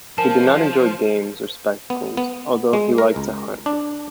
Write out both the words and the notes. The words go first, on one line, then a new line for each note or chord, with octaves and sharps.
He did not enjoy games or spectacles, although he liked to hunt.
F3 A#4 G#5 A5
B3
B3
G#3
A#4
C#2
D4